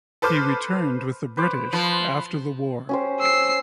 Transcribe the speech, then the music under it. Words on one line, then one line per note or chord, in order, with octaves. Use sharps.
He returned with the British after the war.
A4 B4 C5 D6 F6 G6
B4 C5 D6
F3 B4 C5
C#4 G4 C5
E6 C7